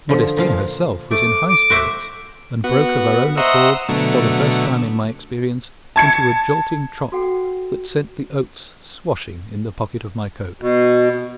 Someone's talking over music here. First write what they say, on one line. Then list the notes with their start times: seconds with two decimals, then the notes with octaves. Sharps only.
Modestine herself was in high spirits, and broke of her own accord, for the first time in my experience, into a jolting trot that sent the oats swashing in the pocket of my coat.
0.09 D3 F3
0.37 A#2 F3 F5
1.11 A3 D6
1.49 D6
1.70 F#4 C5 E5
2.64 B3 F#4
3.37 C5 D#5 E5 F#5 A#5 C#6
3.89 B2 D3 F#3 A3
5.96 A5 G#6 C#7
7.12 F#4 A4 F#5 G5
10.62 B2